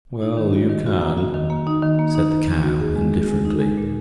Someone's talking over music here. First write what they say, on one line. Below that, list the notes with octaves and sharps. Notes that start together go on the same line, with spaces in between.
"Well, you can," said the Cow, indifferently.
D#4
D#3
F#4
D#3
F#4
A#3
F#4
D#3
A#3
D#4
D#3
A#3
D#4
A#3
D#3
F#4
G#4
G#3
G#4
G#3
D#4
G#3
A#2